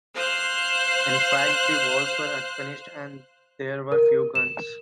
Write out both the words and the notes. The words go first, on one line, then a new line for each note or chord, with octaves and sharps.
In fact, the walls were unfinished and there were few guns.
C5 F5 F#6
A#4
E7